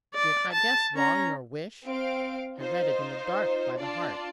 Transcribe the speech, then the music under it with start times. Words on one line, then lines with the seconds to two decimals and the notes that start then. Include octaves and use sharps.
Did I guess wrong your wish?--I read it in the dark, by the heart.
0.15 D5
0.52 A5
0.95 C#4 A#5
1.87 C4 F5 D7
2.59 D#4 F4 C5
3.78 D4 F4 D5 A5